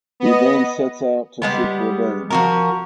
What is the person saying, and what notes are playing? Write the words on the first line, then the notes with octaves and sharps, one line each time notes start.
He then sets out to seek revenge.
B3 D#5
G3 G#3 B3
F3 F#4 A#4